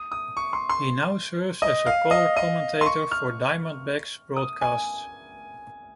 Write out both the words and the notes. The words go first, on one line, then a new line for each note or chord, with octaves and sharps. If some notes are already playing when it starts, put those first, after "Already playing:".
He now serves as a color commentator for Diamondbacks broadcasts.
Already playing: D#6
D#6
C#6
C6
C6
D#5
F5
D#5
D#5
C6
C#6
F6
D#6
G#5